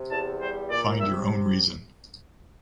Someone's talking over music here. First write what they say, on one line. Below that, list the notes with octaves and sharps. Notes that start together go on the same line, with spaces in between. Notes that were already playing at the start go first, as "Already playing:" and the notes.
Find your own reason.
Already playing: C3
E2 A5
G3 C5
A#2 D5
C3 E5